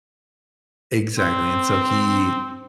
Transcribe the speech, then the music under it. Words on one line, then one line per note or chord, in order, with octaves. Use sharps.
Exactly and so he
C4